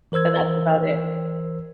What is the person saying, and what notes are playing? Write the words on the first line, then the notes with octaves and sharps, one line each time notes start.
and that's about it.
E3 A#4 C5 E6 G#6